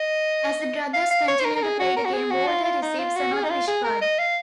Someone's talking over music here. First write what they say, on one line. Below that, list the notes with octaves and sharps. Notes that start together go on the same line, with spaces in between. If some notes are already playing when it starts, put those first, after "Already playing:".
As the brothers continue to play the game, Walter receives another wish card.
Already playing: D#5
F5
F5
C#5
C5
A#4
A#4
G#4
F#4
A#4
F#4
G#4
F#4
F4
F4
D#4
F4
F#4
G#4
D#4
F4
G#4
A#4
D#5
F5